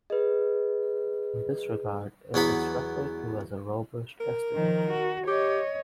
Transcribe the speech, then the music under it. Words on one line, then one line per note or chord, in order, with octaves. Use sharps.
In this regard it is referred to as a robust estimator.
G#4 B4 D#5
E2 F#3 B3 F#5 B5
A#4
D#3 F3
F#4
G4 C#5 D#5